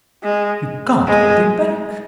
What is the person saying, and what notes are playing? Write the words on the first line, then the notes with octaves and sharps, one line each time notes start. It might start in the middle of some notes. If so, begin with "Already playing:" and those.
You can't hold him back.
G#3
G#3